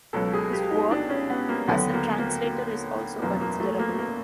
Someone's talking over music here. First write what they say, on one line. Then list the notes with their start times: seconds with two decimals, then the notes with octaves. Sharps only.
His work as a translator is also considerable.
0.13 C#2 B2 F#3 A4
0.33 G#4
0.53 G4
0.71 D#4
0.91 D4
1.09 C#4
1.30 B3
1.49 A#3
1.68 D#2 D3 F#3 B3
1.94 A#3
2.19 A#3
2.44 A#3
3.21 F#1 E2 B2 F#3 A#3
3.41 A#3
3.60 A3
3.79 A#3
3.99 A#3